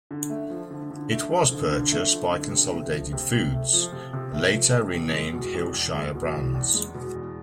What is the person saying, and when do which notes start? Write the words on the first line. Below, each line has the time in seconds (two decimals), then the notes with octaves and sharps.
It was purchased by Consolidated Foods, later renamed Hillshire Brands.
0.11 D3
0.30 A3
0.50 F3
0.70 D3
0.91 D3
1.11 A3
1.30 F3
1.51 D3
1.71 D3
1.92 A3
2.11 F3
2.31 D3
2.51 C3
2.72 A3
2.92 F3
3.13 C3
3.32 C3
3.52 A3
3.73 F3
3.92 C3
4.13 C3
4.34 A3
4.53 F3
4.73 C3
4.94 E2
5.13 G#3
5.33 B2
5.54 E2
5.74 E2
5.94 G#3
6.15 B2
6.34 E2
6.54 E2
6.75 G#3
6.94 B2
7.15 E2